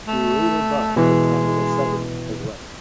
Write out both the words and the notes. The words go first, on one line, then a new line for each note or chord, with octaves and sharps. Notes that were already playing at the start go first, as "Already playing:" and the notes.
He later bought the Canada Southern as well.
A3
B2 E3 G#3